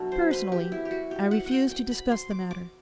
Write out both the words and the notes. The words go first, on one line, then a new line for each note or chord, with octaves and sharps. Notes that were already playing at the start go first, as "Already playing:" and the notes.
Personally, I refuse to discuss the matter.
Already playing: B2 F#3 A3 D4
C5
B4
G4
E4
G4
F#4
G4
F#5
F#5
G5
G5
B5
C6
D6
D6